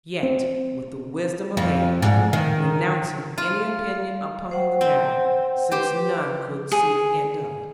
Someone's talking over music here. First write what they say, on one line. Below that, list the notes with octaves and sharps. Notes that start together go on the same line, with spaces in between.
Yet, with the wisdom of age, renouncing any opinion upon the matter; since none could see the end of it.
C4
F2
G#2
D#3
F4
C5 F#5 G5
C4
G4 B4 C5 D6
G#4